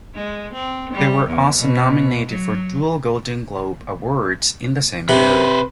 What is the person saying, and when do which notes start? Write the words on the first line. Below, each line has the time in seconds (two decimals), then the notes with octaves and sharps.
They were also nominated for dual Golden Globe Awards in the same year.
0.15 G#3
0.53 C4
0.93 G3
1.27 E2
1.56 B2
2.28 F#3
5.09 C3 B4 C5